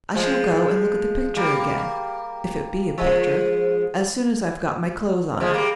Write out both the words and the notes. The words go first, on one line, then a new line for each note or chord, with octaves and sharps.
I shall go and look at the picture again--if it be a picture--as soon as I've got my clothes on.
F3 G#3
G3 A#3
F3 G#3
F3 G#3
G3 A#3